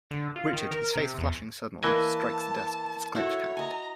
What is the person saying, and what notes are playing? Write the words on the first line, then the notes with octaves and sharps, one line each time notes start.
Richard, his face flushing suddenly, strikes the desk with his clenched hand.
D3
F4
D#3
A#4
C3
E2
E3 A#3 B4 D#5 G#5 A5
E4 F#4 A4 C#5
D#5 G#5 A#5